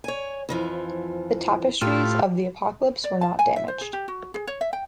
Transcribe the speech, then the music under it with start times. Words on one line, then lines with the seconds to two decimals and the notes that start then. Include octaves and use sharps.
The Tapestries of the Apocalypse were not damaged.
0.04 C#5 G#5
0.49 F2 E3 F3
1.81 A2 F4 G4
3.04 D5
3.21 A5
3.39 G#5
3.56 E5
3.68 C5
3.81 G#4
3.93 G4
4.08 F#4
4.34 G#4
4.47 C#5
4.61 E5
4.73 G5